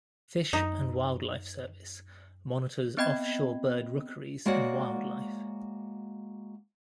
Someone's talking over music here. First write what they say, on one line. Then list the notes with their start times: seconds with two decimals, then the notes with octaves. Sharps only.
Fish and Wildlife Service monitors offshore bird rookeries and wildlife.
0.53 F#2 D#4
2.97 B3 C4 D#5 G5 B5 G#6
4.46 G#3 A#3 F#4 C#5 D5 F#5